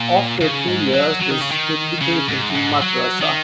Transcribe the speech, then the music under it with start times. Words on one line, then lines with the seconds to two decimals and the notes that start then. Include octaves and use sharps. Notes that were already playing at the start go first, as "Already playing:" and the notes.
After two years they could be taken to madrasah.
Already playing: A#2
0.41 C#3
0.68 G#2
0.94 F#3
1.22 F#3
1.32 D#3
1.42 C#3
1.52 D#3
2.01 C#3
2.29 G#2
2.50 F#2
2.55 G#2
2.81 F#3
3.22 D#3